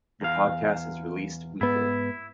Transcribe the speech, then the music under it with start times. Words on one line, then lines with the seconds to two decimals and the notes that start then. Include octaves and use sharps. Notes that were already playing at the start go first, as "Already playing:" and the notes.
The podcast is released weekly.
0.21 E2 F5
1.61 G#2 B3 E4